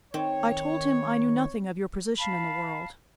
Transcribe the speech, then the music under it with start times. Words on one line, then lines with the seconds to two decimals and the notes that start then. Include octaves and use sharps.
I told him I knew nothing of your position in the world.
0.14 D#3 C4 C#5
2.18 F5 A5 B5